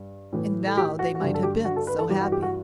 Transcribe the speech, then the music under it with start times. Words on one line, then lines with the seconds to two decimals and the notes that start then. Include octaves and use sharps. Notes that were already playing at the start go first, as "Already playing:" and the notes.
And now they might have been so happy!
Already playing: G2
0.33 A2 E3
0.66 A4
0.77 G4
0.99 F#4
1.15 F#4
1.21 G2 D3 G4
1.34 A4
1.43 G4
1.65 F#4
1.76 A4
1.87 B4
1.99 A4
2.09 G2 E3 G4
2.20 F#4
2.32 G4
2.43 F#4